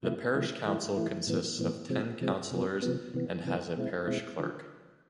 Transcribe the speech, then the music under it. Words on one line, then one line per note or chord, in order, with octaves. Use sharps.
The parish council consists of ten councillors and has a parish clerk.
C3 F3 A3 E4
C3 F3 A3 E4
E3 A3 E4
E3 A3 E4
A2 E3 B3
A2 E3 B3
C3 F3 G#3 C4
C3 F3 G#3 C4
C3 F3 B3
C3 F3 B3
C3 E3 B3
C3 E3 B3
B2 G#3 C4 E4
B2 G#3 C4 E4
D3 F3